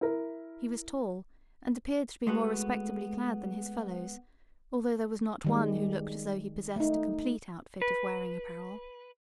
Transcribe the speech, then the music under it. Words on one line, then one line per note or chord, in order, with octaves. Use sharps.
He was tall and appeared to be more respectably clad than his fellows, although there was not one who looked as though he possessed a complete outfit of wearing apparel.
E4 A#4
G#3 A3 B3 F#4
D#3 G3 G#3
A3 D#4
B4